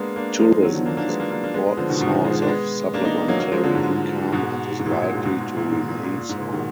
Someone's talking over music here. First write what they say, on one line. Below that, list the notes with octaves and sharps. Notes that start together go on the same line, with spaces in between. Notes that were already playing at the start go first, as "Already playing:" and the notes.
Tourism is an important source of supplementary income and is likely to remain so.
Already playing: G#3 A#3 B3 D4
A#3 D4
F3 G#3
D#3 F#3
D3 F3
A#3 D4
A#3 D4
G#3 B3
A#3 D4
A#3 D4
A#3 D4
G#3 B3
G#3 B3
D3 F3
B2 D#3
G#2 B2
F3
B2 D#3
F3 G#3
F3 G#3
D4
G#3 B3
A#3 D4
B3 D#4
F#3 A#3
F#3 A#3
F3 G#3
D3 F3
G#2
G#2 B2
G#2 B2
A#2
G#2 B2
A#2
G#2
G#2 B2
A#2
A#2
G#2
A#2
A#2
A#2
G#2
A#2
B2 D#3